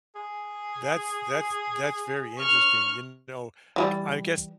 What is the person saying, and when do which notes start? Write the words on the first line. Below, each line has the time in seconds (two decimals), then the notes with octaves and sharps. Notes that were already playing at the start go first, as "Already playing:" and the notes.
That's that's that's very interesting, you know, g I guess
0.15 G#4
2.39 C#6 F6
3.76 E3 F#3 G3